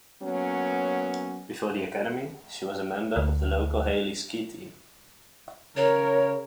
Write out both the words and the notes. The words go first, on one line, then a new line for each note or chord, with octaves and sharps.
Before the academy, she was a member of the local Hailey Ski Team.
F#3 A#3 B3 C#4
D2
C#3 A#4 C#5